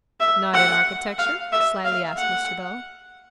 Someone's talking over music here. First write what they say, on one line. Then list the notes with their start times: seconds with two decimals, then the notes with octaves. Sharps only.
'Not in architecture?' slyly asked Mr. Bell.
0.20 E5
0.54 F#5
1.19 F5
1.52 E5
1.85 F5
2.18 F#5